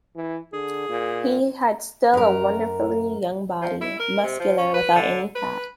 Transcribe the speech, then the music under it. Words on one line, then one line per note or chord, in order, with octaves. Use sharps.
He had still a wonderfully young body: muscular, without any fat.
E3
D3 G#4
A#2
F#2 A#4
F3
E4
A#4
C3
F3
C#4
B4
D3
B4